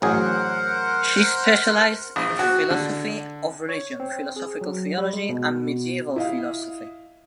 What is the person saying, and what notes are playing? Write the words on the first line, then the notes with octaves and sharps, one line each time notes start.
She specialised in philosophy of religion, philosophical theology and medieval philosophy.
A1 F#3 G#4 A#4 C5 F#5
A#1
F#4
D3
C#5
C4
G#4
F#3
G3
G#3
B2
E4 D#5 F5